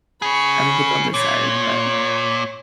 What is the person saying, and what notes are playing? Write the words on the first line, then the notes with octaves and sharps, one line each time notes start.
have a book on the side." But
C#4 G#4 B5 C#6
A#2 C#5